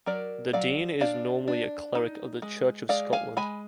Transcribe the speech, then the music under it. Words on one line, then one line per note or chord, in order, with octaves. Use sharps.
The Dean is normally a cleric of the Church of Scotland.
F#3 A#4 D5
F#3 D5 F5
D4 D5 F5
D4
D#4
G#3
G#3 D5 F5
F5 G#5
G#3 G#5 B5